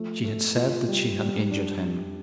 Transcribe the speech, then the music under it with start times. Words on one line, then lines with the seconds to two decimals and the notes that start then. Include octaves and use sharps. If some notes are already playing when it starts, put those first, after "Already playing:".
She had said that she had injured him.
Already playing: F3 A3
0.24 A3
0.56 F4
0.88 G3
1.19 G3
1.51 D4